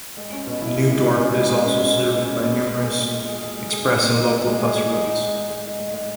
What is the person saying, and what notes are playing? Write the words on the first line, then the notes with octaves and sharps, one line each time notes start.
New Dorp is also served by numerous express and local bus routes.
G#3
C#4
B2
E4
E4
G#3
C#4
B2
G#3
G#3
C#4
B2
B2
B2
C#4
B2
G#4
G#3
G#4
A#2
G#3
G#4
G#3
G#3
G#4
G#4
A#2
D#4
D#4
G#3
G#4
G#4
D#4
D#4
G#3
D#4
G#3
D#4
G#3
G#3